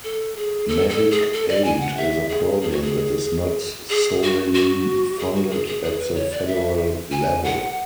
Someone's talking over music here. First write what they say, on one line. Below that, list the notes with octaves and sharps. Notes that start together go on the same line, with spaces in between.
Medicaid is a program that is not solely funded at the federal level.
A4
G#4
A4
A4
G#4
A4
D5
G#5
F#5
E5
G#4
G#4
F#4
G#4
G#4
F#4
F#4
G#4
F#4
G#4
G#4
G#4
B4
C#5
D5
E5
G#5
F#5